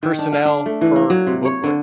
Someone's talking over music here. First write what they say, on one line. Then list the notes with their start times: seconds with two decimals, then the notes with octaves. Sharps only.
Personnel per booklet.
0.03 D#3
0.19 D4
0.32 F5
0.45 D4
0.66 A3
0.81 E3
0.96 A#3
1.10 F#3
1.27 C3
1.45 C#5
1.64 D3